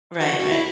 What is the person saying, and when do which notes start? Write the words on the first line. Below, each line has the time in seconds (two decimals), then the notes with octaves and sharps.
right, right.
0.20 F#4
0.40 F#4
0.51 E4